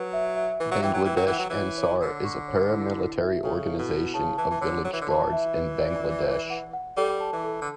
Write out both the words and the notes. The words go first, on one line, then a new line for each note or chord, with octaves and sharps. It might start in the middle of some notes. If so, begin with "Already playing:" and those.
Bangladesh Ansar is a para-military organization of Village Guards in Bangladesh.
Already playing: F#3 B4
E5
E5
E3 B4
F#3
E3 G5
F#3
E3 B4
F#3
E3 F#5
F#3
E3
C#5
C#5
D3 C#5
C#6
C#5
E4
E4
E5
C#3 A4
E4
B2
E4
C#3 A5
E3 A5
E3
D3 C#5
F#3 C#5
E3
D3
E3 A5
E5
B4
D5
D5
B4
F#5
F#5
G3 A4
A5
E3
A4
D3